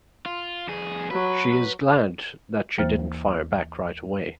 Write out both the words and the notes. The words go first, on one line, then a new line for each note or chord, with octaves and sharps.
She is glad that she didn't fire back right away.
F4
F2 G#4
F#3 B4
D#2 E3 A#3 C5 F6 A6